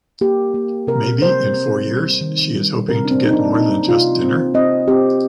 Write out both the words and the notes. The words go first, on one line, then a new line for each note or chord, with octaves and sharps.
Maybe in four years she is hoping to get more than just dinner?
A#3 G4
A#3
C3 A#4
C3 C5
C4
G3
D#3
G3
C3 A#4
D4
C4
A#3 D#4
D4
A#3 D#4
C3 F4
C4
C4 D#5
C4 G4